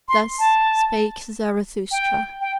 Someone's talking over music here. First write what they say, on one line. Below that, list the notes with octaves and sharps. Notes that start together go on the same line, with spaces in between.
Thus spake Zarathustra.
C6
A5
G5
G5